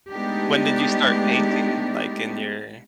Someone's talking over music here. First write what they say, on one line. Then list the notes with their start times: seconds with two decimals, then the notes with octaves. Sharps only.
When did you start painting, like, in your,
0.10 G#3 A3 B3 D4 D#4 G4